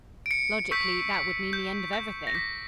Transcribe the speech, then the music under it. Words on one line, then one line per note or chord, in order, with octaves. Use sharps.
Logically, that would mean the end of everything.
D7
C#7
C#6 E6 G6 B6
G6
G6
A#6
D6 G6 B6